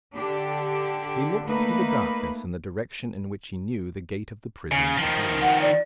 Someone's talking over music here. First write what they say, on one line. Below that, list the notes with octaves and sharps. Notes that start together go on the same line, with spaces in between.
He looked through the darkness in the direction in which he knew the gate of the prison to be.
D3 D4 G4
A3 A#3 D#4 B4
C#3
D#3 F3
F#5
D5